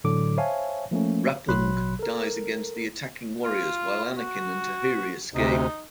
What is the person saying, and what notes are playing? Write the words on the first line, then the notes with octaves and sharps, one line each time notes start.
Rapuung dies against the attacking warriors while Anakin and Tahiri escape.
A2 D3 F#3 D6
C5 C#5 E5 F5 G#5 A5
F3 A3 A#3 C#4
A1 B2 F#3 B5 C6 F#6
A4 A#4
F4
F#4
D2 C3 D#4